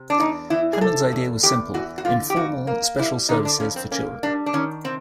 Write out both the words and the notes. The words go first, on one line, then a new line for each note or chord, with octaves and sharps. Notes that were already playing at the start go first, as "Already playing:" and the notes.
Hammond's idea was simple: informal, special services for children.
Already playing: C3
D4
E2 D#4
E3 E4
G#4
C3 A4
E2
E2 G4
E3 F#4
F#4
D3 F4
G4
F2 F#4
A#3
G3 E4
D3 D#4
D4
F2 C#4
C4
A#3 C#4
G3 D4
D4
D#3 C#4
C3 C4